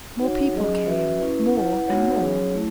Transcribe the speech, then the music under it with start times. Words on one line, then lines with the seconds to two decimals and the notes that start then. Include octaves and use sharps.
More people came--more and more.
0.19 D#4 F#4 C#5 F#5
0.53 F#3 C#4 G#4 D#5
0.86 C#4 F#4 B4 E5
1.20 C#4 E4 B4
1.53 E4 B4 F#5
1.87 B3 D#4 F#4 C#5 F#5
2.20 F#3 C#4 G#4 C#5
2.54 A3 E4